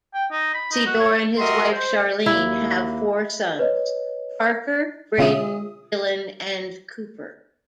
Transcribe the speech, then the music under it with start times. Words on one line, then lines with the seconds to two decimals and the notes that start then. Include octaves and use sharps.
Sydor and his wife Sharlene have four sons: Parker, Braden, Dylan and Cooper.
0.14 G5
0.31 D#4
0.54 B5
0.72 D#4
0.86 F#4
1.00 C#5
1.38 G3 F#4 A#4 D#5 E5 C6
1.72 C5
2.26 D#2 A#3 E4
3.59 B4 C#5 D#5
5.18 B2 D3 C#4 F4 E5 D#6